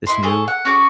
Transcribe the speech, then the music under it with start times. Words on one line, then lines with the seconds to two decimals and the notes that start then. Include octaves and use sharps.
this new
0.07 E4 D#5 C6
0.23 C#4 G#4 A4
0.48 F#5
0.65 C#4 F#4 G#4 D6